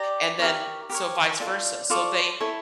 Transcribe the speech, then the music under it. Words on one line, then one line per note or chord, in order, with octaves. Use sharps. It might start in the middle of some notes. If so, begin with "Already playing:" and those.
and then, so vice versa, so they
Already playing: G4 D5 A#5
G4 A#4 C#5
G4 A#4 C#5
F4 A4 D5
F4 A4 D5 C#6
E4 A4 C#5